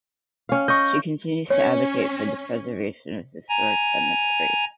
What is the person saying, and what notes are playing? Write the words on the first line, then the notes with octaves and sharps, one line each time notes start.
She continues to advocate for the preservation of historic cemeteries.
C#4 F5
D#5 C#6 G6
C#4 C#5
G#5 A#5